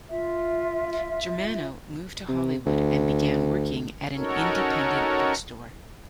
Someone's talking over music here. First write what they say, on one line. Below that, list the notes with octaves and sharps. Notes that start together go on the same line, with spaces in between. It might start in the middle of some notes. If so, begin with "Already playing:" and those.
Germano moved to Hollywood, and began working at an independent bookstore.
F4 E5
C3
D2
C#4 D#4 F#4 A4 A#4 C#5